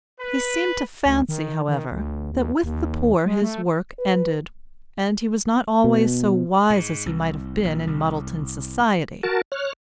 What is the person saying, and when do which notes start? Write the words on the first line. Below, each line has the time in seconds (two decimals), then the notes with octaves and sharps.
He seemed to fancy, however, that with the poor his work ended, and he was not always so wise as he might have been in Muddleton society.
0.20 B4
1.06 D2
1.29 D#3
1.69 D#3
1.92 D2
2.32 D#2
2.64 D#2
3.26 G#3
3.42 A3
3.99 B4
5.84 B2
6.70 G#2
7.06 C2
7.65 A#1
7.87 C2
9.23 F#4 A#4 A5
9.52 C#5 F6 F#6